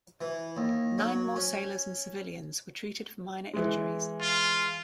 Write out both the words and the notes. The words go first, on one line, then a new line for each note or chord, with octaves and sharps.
Nine more sailors and civilians were treated for minor injuries.
E3
D#2
F#3
C#4
E3 G#3
F4